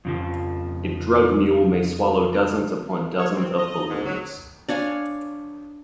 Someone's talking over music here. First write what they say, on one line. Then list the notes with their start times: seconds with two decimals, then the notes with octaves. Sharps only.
A drug mule may swallow dozens upon dozens of balloons.
0.05 F2 C#3 F3
3.19 C#5
3.35 C4
3.59 D#5
3.90 G#2
4.06 F#3
4.69 D4 C#5 F5 G#5